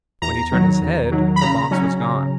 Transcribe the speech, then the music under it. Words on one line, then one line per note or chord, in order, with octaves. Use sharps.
When he turned his head, the box was gone.
E2 A#5
D#3 F#3
E2
D#3 F#3
B5
C#3 A#5
F#3 C#4
C#3